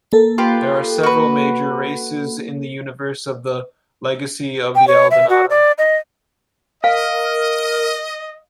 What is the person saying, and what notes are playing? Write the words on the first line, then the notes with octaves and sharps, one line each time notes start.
There are several major races in the universe of the "Legacy of the Aldenata".
A#3 A4
F4 G4 B4
F#4 B4
G5
C#5
E5
F#4
D5
D#5
A#4 D#5 F5